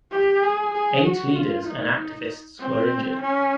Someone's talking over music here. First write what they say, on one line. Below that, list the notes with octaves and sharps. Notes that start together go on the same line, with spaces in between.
Eight leaders and activists were injured.
G4
G#4
G#4
F#4
F4
D#4
C4
C#4